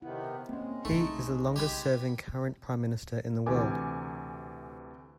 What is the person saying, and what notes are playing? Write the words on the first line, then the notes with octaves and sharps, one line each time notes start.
He is the longest-serving current prime minister in the world.
C3 D#3 B3 E4
G#3 A#3 C4 C#4
B1 C#3 A3 D#4
G4 G#5 B5
D2 C3 E3 A4 G#5 D6